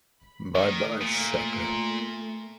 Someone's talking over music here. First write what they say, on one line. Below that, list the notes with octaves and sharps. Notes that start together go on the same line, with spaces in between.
Bye-bye, sucker!
B5
D#3 A3
A#2